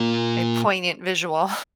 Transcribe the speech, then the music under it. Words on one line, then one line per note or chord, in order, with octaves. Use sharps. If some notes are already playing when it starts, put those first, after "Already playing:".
a poignant visual.
Already playing: A#2